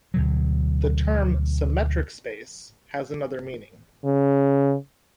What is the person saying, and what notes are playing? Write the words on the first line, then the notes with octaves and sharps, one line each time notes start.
The term "symmetric space" has another meaning.
D2 B2 F#3
C#3